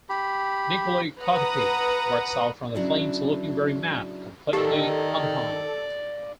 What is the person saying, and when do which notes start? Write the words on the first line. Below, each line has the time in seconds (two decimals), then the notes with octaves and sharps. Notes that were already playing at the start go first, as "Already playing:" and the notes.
Nicolae Carpathia walks out from the flames looking very mad, completely unharmed.
0.09 G4 B5
1.22 B4 F#5 A#5 D#6
2.75 C#3 F#3 D4 E4
4.53 D#3 G4 A4 D5 F5